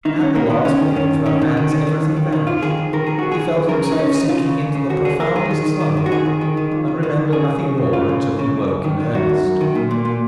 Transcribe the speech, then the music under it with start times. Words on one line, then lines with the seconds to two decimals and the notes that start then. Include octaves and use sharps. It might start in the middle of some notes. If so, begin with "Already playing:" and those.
At the last wave of her hands everything vanished, he felt himself sinking into the profoundest slumber, and remembered nothing more until he awoke in earnest.
0.05 D#3 D#4
0.20 D#2 C#4
0.35 D#3 A#3
0.50 D#3 B3
0.65 D#3 C#4
0.80 D#3
0.96 D#3 C#4
1.11 D#2
1.26 D#3 C#4
1.42 D#3
1.57 D#3
1.71 D#3
1.87 D#3
2.02 D#2
2.16 D#3
2.32 D#3
2.47 F2 F4
2.62 D#3 G#4
2.77 F2
2.93 D#3 A#4
3.06 F2 G#4
3.19 D#3 F#4
3.32 G#4
3.38 F2
3.54 D#3
3.68 C#3 A#4
3.83 C#3 G#4
3.92 D#4
3.99 C#3 C#4
4.15 C#3 D#4
4.29 C#3 F4
4.44 C#3
4.60 C#2
4.75 C#3
4.89 D#2 F#4
5.05 D#2 G#4
5.20 D#2 A#4
5.35 D#3 G#4
5.51 D#3
5.66 D#3
5.80 D#3
5.97 D#3
6.06 F#4
6.11 F2 G#4
6.26 D#3
6.41 D#3
6.57 D#3
6.71 F2
6.88 D#3
7.03 D#3
7.17 F2
7.32 C#3 G#4
7.48 C#2
7.63 C#3
7.78 C#3
7.93 C#3 F4
8.09 C#3
8.23 C#2
8.39 C#3
8.53 F#2
8.69 F#2
8.84 D#3
9.00 D#3
9.14 F#2 F#4
9.29 F#2
9.45 F#2
9.61 D#3
9.75 A#2
9.91 A#2
10.05 A#2